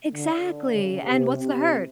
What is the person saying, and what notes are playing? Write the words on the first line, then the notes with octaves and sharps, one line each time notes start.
Exactly, and what's the hurt?
D3
C#3
C3
C3